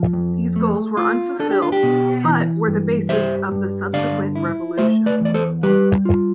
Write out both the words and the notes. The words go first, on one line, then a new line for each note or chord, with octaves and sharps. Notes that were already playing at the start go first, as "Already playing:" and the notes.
These goals were unfulfilled, but were the basis of the subsequent revolutions.
Already playing: F3
F2
A3
F4
D4 A4
G4
F4
G4
B2
E3
G2
G3 C5 E5
G2
D3 D5 F5
E4
A3 C5 E5
B4 D5
E2 D5
A4 C5
G3 G4 B4
F4